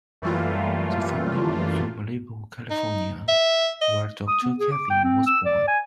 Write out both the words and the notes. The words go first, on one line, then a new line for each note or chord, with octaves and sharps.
The family moved to Malibu, California, where daughter Kathy was born.
F#2 E3 G3 A3 A#3 F4
D#4
E5
D#5
D#6
B3
G#4
D6
G5
C4
E6
D5
G#5